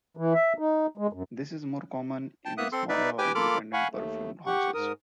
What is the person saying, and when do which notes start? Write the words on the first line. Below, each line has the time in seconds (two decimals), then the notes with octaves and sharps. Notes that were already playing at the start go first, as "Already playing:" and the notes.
This is more common in smaller or independent perfume houses.
0.17 E3
0.34 E5
0.58 D#4
0.98 G#3
1.13 F#2
2.45 G5 A5
2.58 A#3 B3 E5 D#6 F#6
2.72 C4 A4 C6
2.89 D#4 B4 D5 E5
3.18 G4 B4 G5 G#5 D6
3.35 A#3 F4 A4 B5 D6 F6
3.73 F5 F#5 G#5 B5 C#6
3.92 D#2 A3
4.46 G4 F#5 C#6
4.74 G#2 A#4 D#6